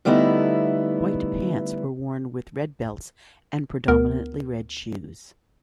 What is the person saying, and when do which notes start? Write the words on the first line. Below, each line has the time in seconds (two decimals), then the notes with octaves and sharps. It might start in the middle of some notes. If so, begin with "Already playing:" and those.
White pants were worn with red belts and predominately red shoes.
0.05 D3 G3 A3 B3 D#4 E4
3.88 D2 B3 A#4